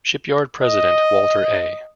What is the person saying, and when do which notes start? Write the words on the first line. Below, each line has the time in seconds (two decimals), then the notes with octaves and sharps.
Shipyard president Walter A.
0.62 D#5